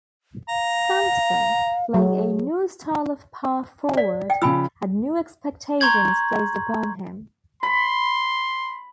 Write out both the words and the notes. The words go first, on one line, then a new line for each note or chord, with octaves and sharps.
Sampson, playing a new style of power forward, had new expectations placed upon him.
F5 A#5
F#3 G#4
D5 B6
G5
C#3 F3 G#5 B5 E6
A#5 C6 C#6 G6 G#6 F#7
B5 C6